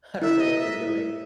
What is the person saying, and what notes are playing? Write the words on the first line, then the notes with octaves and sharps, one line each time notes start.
I don't know what they're doing,
E4 E5
D#5
E5